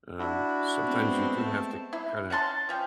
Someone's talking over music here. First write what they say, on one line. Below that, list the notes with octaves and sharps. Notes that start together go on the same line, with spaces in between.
um, sometimes you do have to kinda
D4 E4 F#4
G#3 B3 C4
A3 A5
E4
C#4 F#5 A5 C6
F3 C#4 G5